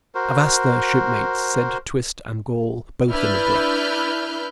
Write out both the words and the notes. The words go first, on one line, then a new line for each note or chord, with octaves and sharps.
"Avast there, shipmates!" said Twist and Gall, both in a breath.
F#4 A#4 C5
D4 E4 B4 F6 G6